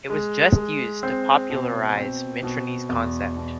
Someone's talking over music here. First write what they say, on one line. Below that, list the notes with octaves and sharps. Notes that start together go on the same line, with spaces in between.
It was just used to popularize Mitrany's concept.
G#3
G#3
C4
B2
C4
B2
E2
B2